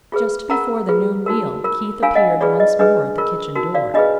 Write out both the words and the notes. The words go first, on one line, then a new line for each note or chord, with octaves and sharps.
Just before the noon meal Keith appeared once more at the kitchen door.
F4 G#4 B4
F4 A#4 F#5 A#5
F4 G#4 B4
D#4 F#4 A#4
F4 A#4
D4 F4 A#4 F5 G#5
D#5 F#5
F4 G#4 B4 D5
D#5
D4 G#4 B4 D#5
F4 A#4
D#4 F#4 A#4
D5 F5
D4 F4 G#4 B4 D#5